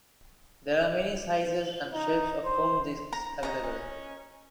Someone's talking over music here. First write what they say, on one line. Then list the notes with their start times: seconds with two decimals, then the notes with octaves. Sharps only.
There are many sizes and shapes of foam disks available.
1.94 D#4
2.45 C5
3.13 A#5
3.43 C#4 D#5 A#5
3.64 C#4